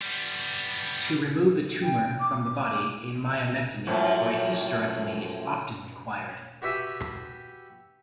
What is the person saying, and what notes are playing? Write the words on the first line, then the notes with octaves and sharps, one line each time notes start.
To remove the tumor from the body, a myomectomy or hysterectomy is often required.
G3 B3
G5
D6
F#2 A2 F3
F#4 G4 B4 E5 G#5